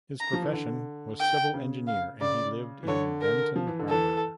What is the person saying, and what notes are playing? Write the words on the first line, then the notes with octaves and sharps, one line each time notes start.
His profession was civil engineer and he lived in Benton Harbor.
A#5
F3
E3
D3
G5
C#3
F5
C#3 D5
E3
D3 C#5
A#4
F3
E3
D3
E3 A4